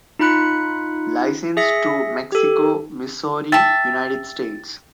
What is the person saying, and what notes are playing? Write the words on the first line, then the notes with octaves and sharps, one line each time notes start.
Licensed to Mexico, Missouri, United States.
D#4 F4 B5 F#6 C#7
G#4 E5 A#6 C#7
G4 A4
E5 G5 A5 A6